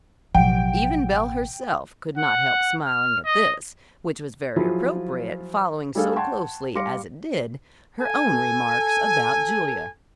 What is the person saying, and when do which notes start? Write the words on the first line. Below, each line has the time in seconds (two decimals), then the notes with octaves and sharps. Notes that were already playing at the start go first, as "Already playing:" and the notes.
Even Belle herself could not help smiling at this, which was very appropriate, following so closely, as it did, her own remarks about Julia.
0.35 A1 B2 F3 F#3 F#5 G5 D7
2.18 F#5
2.84 F6
3.26 D#5
4.56 F3 F#3 E4 F4 G#4
5.95 G3 A3 D4 G#4 A4 F5
6.16 F#5 G5 A5 C6 C#6 G#6
6.75 G3 F5 C6 D6 A#6 C#7
8.00 A4 G#5